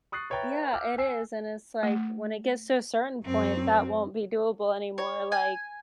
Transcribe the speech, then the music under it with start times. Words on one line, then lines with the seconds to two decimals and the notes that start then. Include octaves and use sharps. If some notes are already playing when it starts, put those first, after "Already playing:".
Yeah, it is, and it's like, when it gets to a certain point, that won't be doable anymore, like,
0.12 C#6 D#6 F#6 A6 C7
0.30 B4 C#5 E5 G5 A#5 A6
0.73 D6 E6 F6 G6
0.98 G#5 E6 C7
1.83 A3
3.25 F#2 C4
4.98 C#5
5.32 G#5